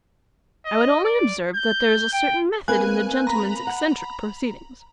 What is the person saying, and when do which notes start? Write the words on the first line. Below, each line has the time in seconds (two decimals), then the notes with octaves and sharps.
I would only observe that there is a certain method in the gentleman's eccentric proceedings.
0.66 D#5
1.04 D5
1.55 G6
2.13 G5
2.68 A#3 C4 B4 G#5 F#6
3.27 A#5 B5
3.67 F#5